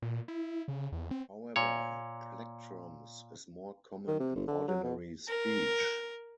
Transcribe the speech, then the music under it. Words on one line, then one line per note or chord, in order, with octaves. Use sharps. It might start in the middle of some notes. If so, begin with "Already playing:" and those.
However, "plectrums" is more common in ordinary speech.
A#2
E4
C#3
E2
C4
A#2 C#5
D#3
C3
G1
D3
F#3
B2
A#4